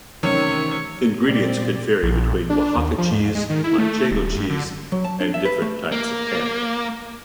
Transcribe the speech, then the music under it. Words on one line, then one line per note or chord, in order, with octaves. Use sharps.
Ingredients could vary between Oaxaca cheese, Manchego cheese and different types of ham.
C3 D#3 E3 F#3 A3 C#4 C#5
A#2 G#3 C4 D5
A#1
D4
D#2
F3
G#2
G#3
D#3
E4
A3
D#1
G2
D3
F#3
A5
D4
E5
B4
A3
A#3